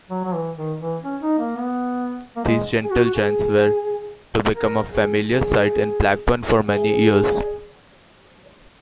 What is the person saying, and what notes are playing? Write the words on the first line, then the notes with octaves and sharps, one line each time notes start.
These 'gentle giants' were to become a familiar sight in Blackburn for many years.
F#3
F#3
E3
D#3
E3
C#4
D#4
A#3
B3
A#3
G#3
G#4
F#4
F#4
G#4
A#4
G#4
G#4
G#4